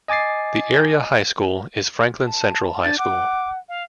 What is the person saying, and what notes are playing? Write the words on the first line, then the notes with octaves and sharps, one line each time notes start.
The area high school is Franklin Central High School.
D#5 G#5 D6 A6 C7
A5
D4 A6
F#5 D6
F5